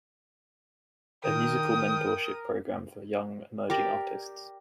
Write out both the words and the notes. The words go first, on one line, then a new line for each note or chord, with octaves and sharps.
A musical mentorship program for young emerging artists.
D#3 A#4 G5 D#6
G4 A#4 D5